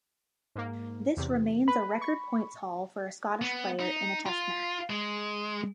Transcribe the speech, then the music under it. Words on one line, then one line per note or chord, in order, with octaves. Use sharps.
This remains a record points haul for a Scottish player in a test match.
G#2 A#3
E2 C3
B4 B5
C#6
B3
D#4
F4
G#3